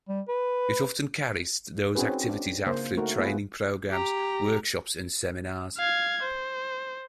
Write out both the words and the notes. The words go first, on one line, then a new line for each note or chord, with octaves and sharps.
It often carries those activities out through training programs, workshops and seminars.
G3
B4
C4 C#4 D#4 F#4 G#4 B4
D4
C#3 A#3 C5
A3 D#4 F#4 A#4
A3 B3 F4 G#4 B4
G4 A#5
F5 G#6
C5